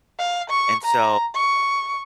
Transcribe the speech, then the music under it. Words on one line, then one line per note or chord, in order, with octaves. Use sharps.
And so
F5
C#6
A#5
C#6